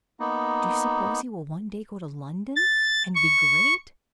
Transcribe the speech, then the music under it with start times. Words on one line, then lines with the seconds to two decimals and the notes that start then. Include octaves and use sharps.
"Do you suppose he will one day go to London and be great?"
0.20 A#3 B3 D#4
2.56 A6
3.15 C#6